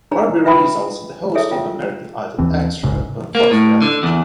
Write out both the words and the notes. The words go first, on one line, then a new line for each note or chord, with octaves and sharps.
Barberie is also the host of "American Idol Extra" on Fox Reality Channel.
D4 D#4 G#4 C#5 A#5
F4 B4 E5 G5 B5 D#6
E4 G#4 A4 C#5 E5
F4 F5 G5
D#2 E3 F3 C4
F#1 C2 G#2 C#3
A#3
A2
D3
E2